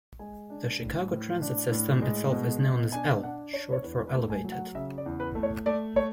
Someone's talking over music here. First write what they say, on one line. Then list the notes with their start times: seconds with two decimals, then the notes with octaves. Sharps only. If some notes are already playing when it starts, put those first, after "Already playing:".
The Chicago transit system itself is known as "L", short for "elevated".
0.19 G#3 G#5
0.50 D4
0.80 A2
1.12 A2
1.42 D4
1.72 A2
2.02 G#3
2.32 B2
2.63 B2
2.92 D4 G#5
3.23 D4 F#5
3.53 D4 C#5
3.72 C#5
3.83 E2 B4
4.07 B4
4.15 A3
4.30 G#5
4.44 F#3
4.52 F#5
4.75 C#3 E5
4.98 D5
5.06 E2
5.20 B4
5.35 A3
5.43 C#5
5.66 A3 D5
5.96 A3 C#5